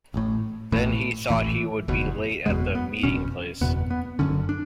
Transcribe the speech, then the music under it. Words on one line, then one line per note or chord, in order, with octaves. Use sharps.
Then he thought he would be late at the meeting-place.
A1 A2
A1 A2 E3
A1 A2 E3
F#1 E2 B2
F#1 E2 B2 G#3
B3
F#1 E2 B2 C#4
F#1 E2 B2 B3
B3
F#1 F#2 D3 C#4
D4